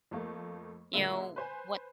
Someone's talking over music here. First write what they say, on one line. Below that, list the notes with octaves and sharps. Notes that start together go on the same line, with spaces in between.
you know, what
F2 A3 A#3
A#2 D3 G#3 A#3 E5
B4 C5 G#5